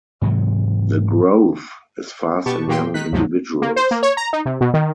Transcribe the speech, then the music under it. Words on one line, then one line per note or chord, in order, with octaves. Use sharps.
The growth is fast in young individuals.
G#2 C3 E3 F#3
B2 B3 G4 A5 C#6
A#2 F#3 A#3 G4 G5 C6
D#3 D#4 F#6 B6
D2 G2 C3 F3 F#3 G#3
A#3
C5
A#3
C#5
A#5
D#4
C3
B2
D#3